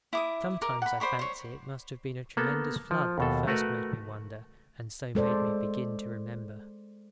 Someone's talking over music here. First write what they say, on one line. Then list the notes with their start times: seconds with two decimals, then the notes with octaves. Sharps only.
Sometimes I fancy it must have been a tremendous flood that first made me wonder, and so made me begin to remember.
0.13 E4 D6 D#6
0.62 A#4 D6
0.82 F#5 B5
1.00 C5 D5 B5 C#6
1.19 C5 C#5
2.37 A#3 B3 A4
2.91 F3
3.18 D#2 B2 A4
3.47 A3 F#4 A#4 B4
5.15 G#3 A4 C5 D5